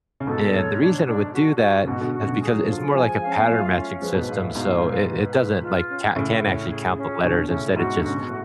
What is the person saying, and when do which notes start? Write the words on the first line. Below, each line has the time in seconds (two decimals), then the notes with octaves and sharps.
and the reason it would do that is because it's more like a pattern matching system, so it it doesn't, like, coun can't actually count the letters, instead it just
0.20 C#3
0.27 G#2 B2 A4
0.54 C#5
0.81 D4
1.07 D4
1.34 F#4
1.61 F#4
1.83 C#3
1.87 G#2 B2 F#4
2.00 B2 D3
2.14 F#4
2.22 C#3
2.27 B2 D3
2.41 G#3 G#4
2.51 F#3
2.62 F3
2.67 D3 F#3 F4
2.94 F3 G#3 G#5
3.21 F5
3.26 C#4
3.37 B3
3.48 F#3 A3 F4
3.74 C#4
4.01 F3 G#3 B4
4.15 G#2 B2
4.28 G#2 F5
4.42 A2
4.55 G#2 B2 F5
4.82 B4
5.08 B4
5.36 B4
5.62 F4
5.89 C#4
6.15 A2 C#3 C#4
6.42 C#4
6.69 G#4
6.96 C#4
7.23 B2 D3 C#4
7.49 A2 C#3 C#4
7.76 G#2 B2 F#4
7.97 D3
8.03 C#3 F#4
8.19 B2
8.30 A2